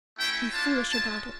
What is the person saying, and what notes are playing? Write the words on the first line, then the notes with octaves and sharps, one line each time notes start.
Be foolish about it.
A3 C#4 E4 G5
A#3 D4 F4 A5
G#3 C#4 F4 A5